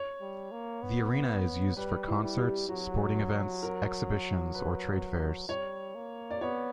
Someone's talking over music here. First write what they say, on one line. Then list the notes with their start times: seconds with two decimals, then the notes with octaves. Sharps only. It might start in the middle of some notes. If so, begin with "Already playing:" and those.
The arena is used for concerts, sporting events, exhibitions or trade fairs.
Already playing: C#5
0.21 G3
0.51 A#3
0.82 B3
1.76 G3 B4
2.08 E4
2.22 G3
2.37 G4
2.69 F#3 F#4
3.63 A#4
4.55 B4
5.48 G3 C#5
5.95 A#3
6.31 D5
6.41 B3 C#5